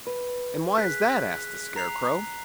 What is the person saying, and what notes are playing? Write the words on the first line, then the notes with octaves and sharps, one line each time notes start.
"And why is that?" asked the Scarecrow.
B4
G#4 F#6 B6
A#5 C7 F7